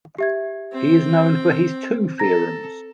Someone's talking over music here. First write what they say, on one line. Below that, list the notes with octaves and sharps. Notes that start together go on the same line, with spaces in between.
He is known for his two theorems.
G4 E5 G#6
C4 G5
A4 A#5 A#6